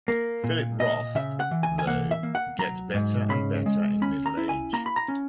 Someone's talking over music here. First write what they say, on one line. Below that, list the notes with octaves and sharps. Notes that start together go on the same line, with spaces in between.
Philip Roth, though, gets better and better in middle age.
A#3
A#2
A#2 D#5
C#3 E5
F#5
E3
G#5
G#5
A#3 F#5
E5
A#3
F#5
F#3 A#5
G#2
C#3 B5
G#3
C#4 B5
A#5
E4
G#5
A#3 A#5
B5
A#5
C#4